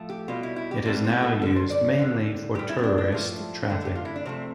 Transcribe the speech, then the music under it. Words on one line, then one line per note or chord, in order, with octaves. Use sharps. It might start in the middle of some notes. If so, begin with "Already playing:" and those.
It is now used mainly for tourist traffic.
Already playing: A2 F3 A3
G4
B2 G3 F4
E4
E4
G4
A2 E3 G3 C4
C4
A4
D3 G3 A4
C5
D5
D3 G3
D3 G3 G4
E4
C4
D4
D4
A2 F3 A3
D3 A3
G4
F4
E4
D4
C3 F3 A3 C4